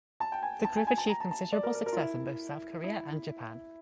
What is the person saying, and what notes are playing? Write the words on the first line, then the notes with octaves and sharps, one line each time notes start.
The group achieved considerable success in both South Korea and Japan.
A5
G5
G#5
A5
G#5
G#5
A5
A#5
A5
A5
D5
A#4
A#4
A#4
F4
E4
E4